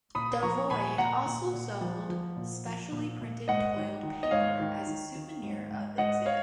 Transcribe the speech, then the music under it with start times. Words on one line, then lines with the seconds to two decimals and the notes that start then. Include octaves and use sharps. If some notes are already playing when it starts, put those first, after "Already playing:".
Delvoye also sold specially printed toiled paper as a souvenir of the exhibit.
0.15 A#2 B5 D#6
0.43 F3 A#5 C#6
0.70 A#2 G#5 B5
0.98 A#2 F#5 A#5
1.26 A#2
1.53 A#2
1.81 F3
2.09 F3
2.37 A#2
2.66 F3
2.92 A#2
3.21 A#2
3.48 G#2 D#5 F#5
3.77 D#3
4.03 D#3
4.23 D#5
4.31 G#2 C#5 F5
4.60 D#3
4.87 D#3
5.15 D#3
5.42 G#2
5.71 G#2
5.98 G#2 D#5 F#5
6.26 C#5 F5